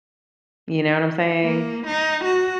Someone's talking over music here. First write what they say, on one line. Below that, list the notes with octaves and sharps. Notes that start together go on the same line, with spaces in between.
You know what I'm saying?
A#3
D#4
F#4